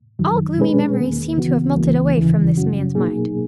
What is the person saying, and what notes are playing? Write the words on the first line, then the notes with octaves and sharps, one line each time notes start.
All gloomy memories seemed to have melted away from this man's mind.
F#2 D#3 F#3
B2 G#3 C#4 G#4 B4
E2 D#3 A#3
C#2 C#3 E3 B3 F#4
C#2 C#3 E3 A#3
D#2 C#3 E3
F#2 C#3 F#3 C#4 F#4
B2 F#3 A#3 D#4 G#4